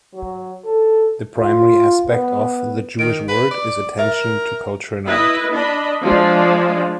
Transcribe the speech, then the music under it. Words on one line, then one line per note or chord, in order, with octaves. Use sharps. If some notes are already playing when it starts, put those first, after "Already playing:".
The primary aspect of "The Jewish Word" is attention to culture and art.
F#3
A4
F4
B3
D#3 D7
B4
D5
A#4 E5
E4 B4 D#5
D4 D#5 B5
F3 G#3 D4